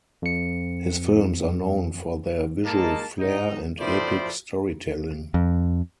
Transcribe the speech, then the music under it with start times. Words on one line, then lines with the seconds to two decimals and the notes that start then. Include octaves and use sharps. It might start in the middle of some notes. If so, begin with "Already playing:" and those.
His films are known for their visual flair and epic storytelling.
0.22 F2 C#7
2.65 G#3 A#3 D#4 A5
3.19 G#2 D#4
3.79 A2 F3 A3 C5 D5 B5
5.34 F2